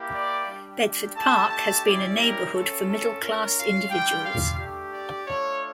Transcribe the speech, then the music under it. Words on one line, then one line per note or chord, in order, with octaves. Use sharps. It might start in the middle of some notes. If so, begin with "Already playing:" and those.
Bedford Park has been a neighbourhood for middle class individuals.
Already playing: A#3 E4 G4
D5
G3 D4 G4
A3 D4 G4 A5
A5
G3 C#4 E4 G4 D5
A#4
C#4 F4 A4
A4
C#4 F4 A#4
F5
G3 D4 F4 G5
F5
A3 D4 G4
D5
A3 D4 F4 C#5